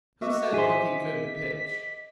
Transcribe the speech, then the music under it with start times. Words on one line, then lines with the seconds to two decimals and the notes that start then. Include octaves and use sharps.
Who said Hooky couldn't pitch?
0.22 F#4 D#5 E5 D6
0.54 G#4 C5 B6